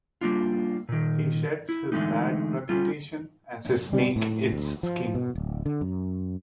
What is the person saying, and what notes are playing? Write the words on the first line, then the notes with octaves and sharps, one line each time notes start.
He sheds his bad reputation as a snake its skin.
G3 A#3 D4 F4
A#2 D#3
E4
D3 E3 G#3 A3 B3 D#4
G3 C#4 F4
G3
A2
D2
F3
B2
D1
D3
F#2